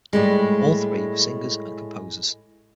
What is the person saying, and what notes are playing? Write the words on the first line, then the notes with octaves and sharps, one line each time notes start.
All three were singers and composers.
A2 G3 G#3